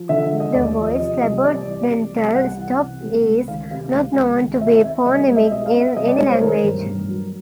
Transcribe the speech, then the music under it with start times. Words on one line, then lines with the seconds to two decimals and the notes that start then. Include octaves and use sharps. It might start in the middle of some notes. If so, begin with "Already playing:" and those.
The voiced labiodental stop is not known to be phonemic in any language.
Already playing: F3
0.09 D3 E5
0.32 G#3
0.40 D#5
0.55 D#2 D5
0.77 F3
0.85 D#5
0.99 C3 D#5
1.22 C2 D#5
1.45 C2 D5
1.67 E3
1.90 C3
2.12 C2
2.35 C2 F#5
2.57 E3
2.80 C3
3.03 C#2
3.25 C#2
3.48 D#3 F5
3.71 C3 F5
3.93 C#2
4.16 C#2
4.38 D#3
4.61 B2 E5
4.83 C4 E5
5.06 C2 D#5
5.21 D#5
5.28 G#3
5.36 E5
5.51 B2 D#5
5.66 F5
5.74 C4
5.81 E5
5.97 C2 D#5
6.08 D5
6.18 G#3 C#5
6.31 C5
6.41 D#3 A#4
6.64 G2
6.86 G2
7.09 F#3